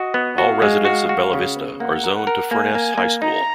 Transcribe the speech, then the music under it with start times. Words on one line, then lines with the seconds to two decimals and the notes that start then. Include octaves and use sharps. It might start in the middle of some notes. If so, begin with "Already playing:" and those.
All residents of Bella Vista are zoned to Furness High School.
Already playing: F#4 D#5
0.14 B3
0.38 F#4 F5
0.62 G#3
0.85 F#4
1.09 F#4
1.33 C#3
1.56 B3
1.80 A#3 F#5
2.04 A#4
2.15 F#5
2.27 A#4
2.51 A#3 G#5
2.75 A#3
2.98 A#3
3.21 D#4 A#5